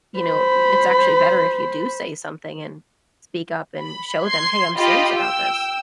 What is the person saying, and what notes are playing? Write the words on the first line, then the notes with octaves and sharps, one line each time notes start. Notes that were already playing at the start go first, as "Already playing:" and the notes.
you know, it's actually better if you do say something and speak up and show them, "Hey, I'm serious about this."
C5 B5
B5
C6 G#6 C7
F4 G4 D#5 B5
G5 E6